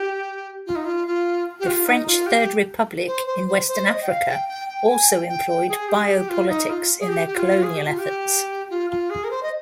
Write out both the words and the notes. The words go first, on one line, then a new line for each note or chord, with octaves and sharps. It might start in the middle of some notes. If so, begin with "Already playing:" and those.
The French Third Republic in Western Africa also employed biopolitics in their colonial efforts.
Already playing: G4
F4
D#4
F4
F4
G4
F4
D#4
F4
G4
C5
C5
C5
C5
D#5
G5
F5
G5
G5
G5
G#5
G5
G5
G5
G#4
G4
G#4
G4
F4
D#4
F4
G#4
G4
G4
F4
G#4
G4
F4
G4
F4
F4
G#4
A#4
C5
D#5